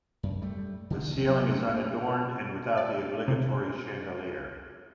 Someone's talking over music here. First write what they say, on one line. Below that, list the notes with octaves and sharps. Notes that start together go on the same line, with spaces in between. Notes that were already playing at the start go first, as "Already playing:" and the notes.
The ceiling is unadorned and without the "obligatory" chandelier.
F#2
G3 A3
D3 F3 G#3
B1 E2 F3
F#3 B3
A#3
D5
C3